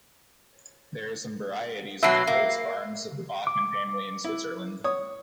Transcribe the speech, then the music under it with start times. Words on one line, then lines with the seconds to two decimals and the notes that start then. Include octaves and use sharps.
There are some varieties of the coats of arms of the Bachmann family in Switzerland.
2.03 B2 F#3 E5 C7
2.27 A#3
3.47 D6
4.24 E4
4.84 C#5 D#6